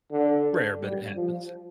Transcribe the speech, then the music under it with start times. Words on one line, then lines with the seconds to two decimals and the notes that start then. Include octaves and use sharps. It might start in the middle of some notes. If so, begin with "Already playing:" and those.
Rare, but it happens.
0.11 D3
0.81 G3
1.16 F3